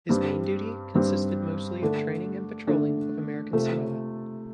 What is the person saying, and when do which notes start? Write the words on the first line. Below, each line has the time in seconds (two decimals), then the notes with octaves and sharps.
His main duty consisted mostly of training and patrolling of American Samoa.
0.09 G2 G3 C4
0.95 G2 G3 C4
1.82 D3 A3 D4 A4
2.68 D3 A3 D4 A4
3.53 C3 A3 F4 A4